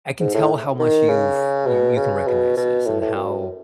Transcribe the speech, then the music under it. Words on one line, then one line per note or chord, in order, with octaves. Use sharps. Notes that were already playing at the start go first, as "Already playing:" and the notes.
I can tell how much you've you you can recognize this and how
G#2
A2
D#3
C#3
B2
C#3
B2
B2
A2
A2
F#2